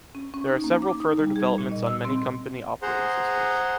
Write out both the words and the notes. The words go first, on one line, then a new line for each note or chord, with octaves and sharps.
There are several further developments on many company operating systems.
C#4
C#4
D#4
A#3
D6
D#4
G3
G#4
A#2
D#5
E6
C4
G#4 C5 F#5 A#5 C6